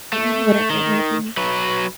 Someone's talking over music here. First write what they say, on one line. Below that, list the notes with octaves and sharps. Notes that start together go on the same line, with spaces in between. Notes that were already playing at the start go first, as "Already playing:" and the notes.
you know, whatever it may be.
A3
D#3
F#3 B4